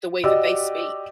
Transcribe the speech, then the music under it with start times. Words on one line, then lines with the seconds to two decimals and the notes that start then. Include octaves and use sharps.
the way that they speak.
0.24 F#4 G4 D5 D#5 E6